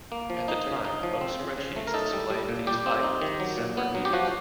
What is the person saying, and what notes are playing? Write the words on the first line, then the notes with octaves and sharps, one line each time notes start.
At the time, most spreadsheets displayed these items in separate views.
A#3
F3
D#4
C#3
D#4
F3
C4
C#3
C#3
A3
A#4
D#4 A4
G3
G3
A#2
G3 G4
C4
D#4
D#3
F#3
A#2
B3
F#3
G4
F3 F#4